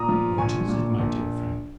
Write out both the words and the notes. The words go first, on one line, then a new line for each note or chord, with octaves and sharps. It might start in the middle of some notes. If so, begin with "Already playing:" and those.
"What is it, my dear friend?"
Already playing: A#2 A#5 D#6
F3
A#1 G#5 C#6
A#2
A#1